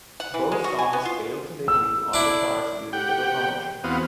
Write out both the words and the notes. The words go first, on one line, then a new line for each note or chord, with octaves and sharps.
Both songs failed to debut on the charts due to little promotion.
F#5
E3
G#3
F#4
G#5
B3
F4
E6
D4 E4
G4 F#5 G5
E2 B3 C4 F#4 F5 D#6